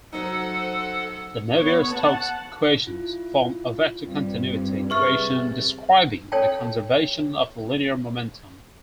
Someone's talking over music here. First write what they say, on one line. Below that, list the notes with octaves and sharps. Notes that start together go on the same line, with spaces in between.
The Navier-Stokes equations form a vector continuity equation describing the conservation of linear momentum.
F#3 D#4 A4 C5 F#5
B3 C#5
F#5 A5
E4 F4
G2 C4
C3 G#4 B4 E5 C#6 F6 A6
A4 C#5 G5 A5